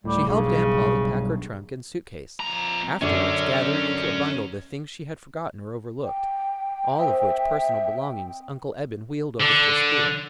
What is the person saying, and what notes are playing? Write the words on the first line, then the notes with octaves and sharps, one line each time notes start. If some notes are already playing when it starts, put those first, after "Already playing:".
She helped Aunt Polly pack her trunk and suit case, afterwards gathering into a bundle the things she had forgotten or overlooked, all of which personal belongings Uncle Eben wheeled over to the school.
D1 A2 G3
B1 G2 C#3
F2 A#5
F#2 D3 C#4 A#4
G5
C4 D#5 E5
D3